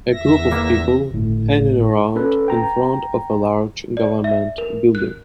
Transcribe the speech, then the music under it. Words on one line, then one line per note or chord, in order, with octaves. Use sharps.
A group of people hanging around in front of a large government building.
E2 E5 A#6
E3 A#3
G1 A2
C#4 A4 B4
G5 A#5
D5
E5
A#4
F#6